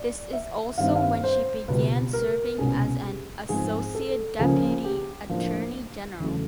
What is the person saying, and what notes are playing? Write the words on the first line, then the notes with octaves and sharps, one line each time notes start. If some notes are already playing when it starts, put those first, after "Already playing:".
This is also when she began serving as an associate deputy attorney general.
Already playing: D5
E5
G2 D#3 G3 C4 F5
E5
F5
C5
C#2 B2 G3 B4
A#4
C2 B2 G#3 C#4 G#4
G4
G#2 F3 G#3 C4 G#4
A4
C#2 C#3 F3 A#3 C#4 G#4
G4
A2 F3 A#3 D4
E2 C#3 F#3 A3